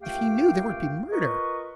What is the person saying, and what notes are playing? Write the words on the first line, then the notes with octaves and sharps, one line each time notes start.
If he knew, there would be murder.
C#2 F#2 A3 G4 F5 G5
F4 A#4 B4 D#5 C#6